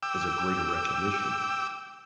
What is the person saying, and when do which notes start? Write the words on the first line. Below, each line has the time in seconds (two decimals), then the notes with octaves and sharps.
is of greater recognition.
0.03 G5 D6 E6